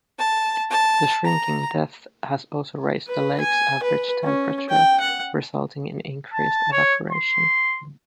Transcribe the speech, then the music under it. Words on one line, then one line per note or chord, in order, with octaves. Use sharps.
The shrinking depth has also raised the Lake's average temperature, resulting in increased evaporation.
A5
A5
A#5
B4
G#5
B4
C#4
G5
F#5
A5
C#5
C6